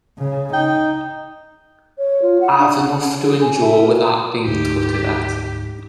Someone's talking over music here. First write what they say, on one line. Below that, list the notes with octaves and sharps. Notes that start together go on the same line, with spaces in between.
I've enough to endure without being tutted at.
C#3
D#4 G5
C#5
F4
F#5
D4
F#5
C#4
G#4
G#5
E5
A#4
D2 G#2 G4